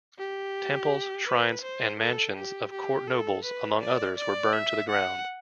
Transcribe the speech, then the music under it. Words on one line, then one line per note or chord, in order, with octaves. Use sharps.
Temples, shrines, and mansions of court nobles, among others, were burned to the ground.
G4
B4
C5
A4
G4
G4
A4
B4
D5
D5
E5
F#5